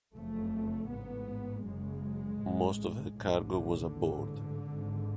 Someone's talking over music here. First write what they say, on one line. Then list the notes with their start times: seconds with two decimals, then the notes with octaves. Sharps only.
Most of her cargo was aboard.
0.13 F#1 F2 C#3 A3
0.88 A1 G#2 B3
1.64 F#1 F#2 C#3 G#3
2.40 A1 A2
3.16 B1 A2 D3
3.92 A1 G#2
4.68 G#1 G#2